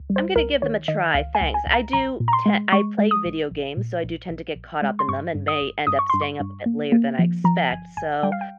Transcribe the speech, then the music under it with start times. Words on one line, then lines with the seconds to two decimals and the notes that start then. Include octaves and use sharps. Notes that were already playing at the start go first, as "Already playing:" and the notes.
I'm gonna give them a try, thanks. I do te I play video games, so I do tend to get caught up in them and may end up staying up a bit later than I expect. So,
Already playing: C#2
0.10 G3
0.16 C5
0.36 C#2 A#4
0.62 D#3 C#5
0.88 D#3 D#5
1.14 C#2 F5
1.35 G#5
1.41 C#2
1.54 G#5
1.67 C#2
1.73 A#5
1.93 A#1 A#5
2.20 A#2
2.28 A#5
2.33 C6
2.46 G#3
2.72 G#3 C#6
2.98 G#3
3.11 D#6
3.25 A#1
3.51 A#1
3.77 A#2
4.04 A#1
4.30 A#1
4.56 A#1
4.82 G#3
4.99 C6
5.08 G2 C#6
5.35 G2
5.48 D#6
5.61 G1
5.87 G2 D#6
5.99 C#6
6.10 G2 C6
6.21 C#6
6.40 G2
6.66 A#3
6.92 A#3
7.19 F3
7.44 F3 A#5
7.70 G1 G#5
7.97 G1 G#5
8.23 G3 G5
8.32 F5
8.41 G5